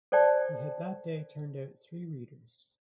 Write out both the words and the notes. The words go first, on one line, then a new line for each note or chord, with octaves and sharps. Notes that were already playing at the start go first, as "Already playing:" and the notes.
He had that day turned out three readers.
A4 C5 D5 G5 A5